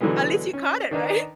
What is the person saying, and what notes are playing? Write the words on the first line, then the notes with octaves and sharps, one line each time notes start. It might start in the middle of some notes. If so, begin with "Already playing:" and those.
At least you caught it. Right?
B2 D3 E3 F#3 G#3 B3
C#4
D#3 D4 D#4 B4